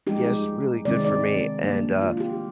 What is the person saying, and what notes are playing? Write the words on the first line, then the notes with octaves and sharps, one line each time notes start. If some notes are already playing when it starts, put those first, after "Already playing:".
Yes. It's really good for me, and, uh,
F3 G#3 D#4 G4
C3 D#3 G#3 C4 D#4 D5
D5
F3 A#3 D4
F4
F4
G4